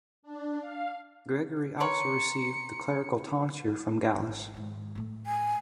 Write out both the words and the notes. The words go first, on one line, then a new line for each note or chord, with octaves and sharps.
Gregory also received the clerical tonsure from Gallus.
D4
F5
A#4 B4 C#5 A#5 C6 C#7
G#1
G#2 D#3
A2 A3
G#5